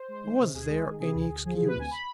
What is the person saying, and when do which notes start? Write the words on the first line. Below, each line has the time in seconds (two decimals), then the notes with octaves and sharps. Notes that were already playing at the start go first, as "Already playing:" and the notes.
Was there any excuse?
Already playing: C5
0.08 G#3
0.23 D#3
0.40 C3
0.54 D2 G#4
0.69 G#3
0.85 D#3
0.99 C3 G#4
1.14 D2
1.30 D2
1.45 F3 G#4
1.57 C3 G#4
1.68 B4
1.76 D2 G#5
1.91 B5